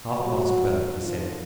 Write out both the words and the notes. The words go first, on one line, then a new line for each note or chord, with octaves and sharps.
"Half-past twelve," he said.
A#2 F#3 G3 F#4
C3 D#3 F3 F#3 F4